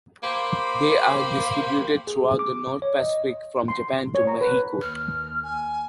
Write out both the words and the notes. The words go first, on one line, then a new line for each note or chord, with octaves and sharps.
They are distributed throughout the North Pacific, from Japan to Mexico.
A#3 G4 C5 B5
G#4
D6
C#5
D#5
C6
C#5
A#5
B4
D#2 F6
G#5